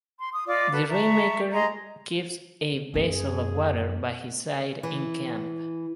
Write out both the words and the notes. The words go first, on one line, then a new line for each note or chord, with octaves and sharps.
The rain-maker keeps a vessel of water by his side in camp.
C6
D#6
F4 D5 D#5 D6
F#4 A4 B4
E5 A5 A#5 C#6
G#4 D#5 A#5 C6
F#2 A#3 G#4
E3